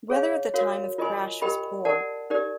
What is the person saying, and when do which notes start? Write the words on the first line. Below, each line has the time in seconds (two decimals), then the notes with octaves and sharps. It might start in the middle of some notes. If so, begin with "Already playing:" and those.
Weather at the time of crash was poor.
0.10 G#4 C#5 F5
0.54 F#4 A#4 C#5 F5
0.98 F4 A#4 D#5 G#5 C6
1.42 G4 A#4 D#5 G5 B5
1.85 A#4 D5 F#5 A5
2.30 D#4 G4 A#4 D5